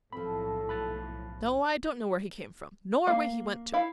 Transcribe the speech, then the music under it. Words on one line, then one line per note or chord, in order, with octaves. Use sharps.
No, I don't know where he came from nor where he went to.
B1 A2 F3 C4 A4 B5
F3 B5 F#6 A6
A#3 F5
E4 F5